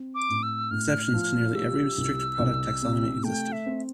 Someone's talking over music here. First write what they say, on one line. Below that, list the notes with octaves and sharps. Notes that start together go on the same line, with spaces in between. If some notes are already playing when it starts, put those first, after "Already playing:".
Exceptions to nearly every strict product taxonomy existed.
Already playing: C4
D6
A2
E6
A2 F6
F3
G3 E6
C2
C2
C3
A3 G5
E5
C4